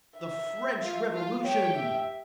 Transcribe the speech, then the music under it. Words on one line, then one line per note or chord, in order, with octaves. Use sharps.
"The French Revolution!"
E5
F4 F5
F4 F5
G4 C#5 G5
E5